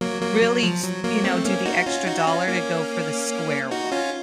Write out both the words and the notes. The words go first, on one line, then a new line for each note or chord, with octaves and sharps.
really s you know, do the extra dollar to go for the square one.
F#3 A#3
F#3 A#3
F#3
F3
F#3
F#3 A#3
A3 C4
A#3 C#4
D#4 F#4
C#4 F4
D#4 F#4
C#4 F4
A#3 C#4
D#4 F#4
C#4 F4